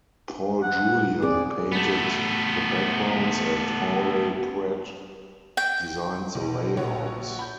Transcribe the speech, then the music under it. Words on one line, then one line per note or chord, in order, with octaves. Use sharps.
Paul Julian painted the backgrounds and Hawley Pratt designed the layouts.
F#5
C4 G#4 D5
A3 B3
G5
B1
A#1 F#4 C#5
B5 G6